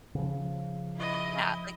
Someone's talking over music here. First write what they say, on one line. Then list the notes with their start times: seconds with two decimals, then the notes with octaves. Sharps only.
Yeah, like
0.15 C#3 F3
0.96 E4 D#5